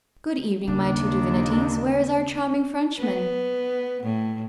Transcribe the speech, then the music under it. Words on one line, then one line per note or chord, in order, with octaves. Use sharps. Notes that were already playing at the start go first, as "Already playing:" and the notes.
"Good evening, my two divinities, where is our charming Frenchman?"
D#2 C#3 A#3 D4
B3
A2